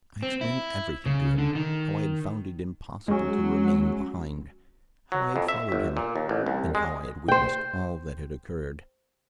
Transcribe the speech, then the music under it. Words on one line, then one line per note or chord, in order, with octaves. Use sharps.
I explained everything to him: how I had found it impossible to remain behind, how I had followed him, and how I had witnessed all that had occurred.
C4
E4
C#3
D3
D#3
F#3 G#3 C#4
F#3
F2
E5
G1
A#2
D#2
A1
C2
G#3
C5 G5